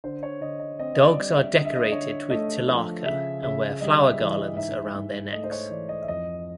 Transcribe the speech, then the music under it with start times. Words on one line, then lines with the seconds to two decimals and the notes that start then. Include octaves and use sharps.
Dogs are decorated with tilaka and wear flower garlands around their necks.
0.04 D3 C5
0.23 C#5
0.41 D3 D#5
0.59 D#5
0.79 C4 D#5
0.95 D#5
1.04 D5
1.17 G3
1.30 E5
1.54 D3 D#5
1.65 E5
1.75 D#5
1.92 D3 C#5
2.30 A3 D#5
2.68 F3
3.05 C#3 E5
3.43 C#3 E5
3.81 G3 D#5
4.07 E5
4.19 E3
4.32 D#5
4.57 G#2 E5
4.95 G#2
5.32 A3 D#5
5.44 C5
5.51 C#5
5.70 E3 D5
5.89 D#5
6.02 E5
6.08 F2 D#5